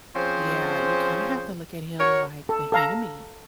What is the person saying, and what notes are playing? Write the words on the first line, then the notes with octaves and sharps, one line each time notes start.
Yeah, you kinda have to look at him like the enemy,
F3 C4 C#4 G#4 C5
F#4 A#4 C#5
A4
A4 F5 A#5